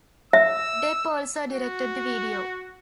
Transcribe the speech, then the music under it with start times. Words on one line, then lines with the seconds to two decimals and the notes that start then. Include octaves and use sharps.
Depp also directed the video.
0.33 E5 E6
1.49 F#4